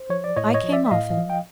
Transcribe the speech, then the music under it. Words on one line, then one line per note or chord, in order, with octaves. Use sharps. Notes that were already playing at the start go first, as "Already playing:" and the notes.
I came often.
Already playing: C5
F3 C#5
D5
A2 C#5 D#5
C#5 D#5
F3
D5 E5
E5
A2 D#5 F5
F3
G5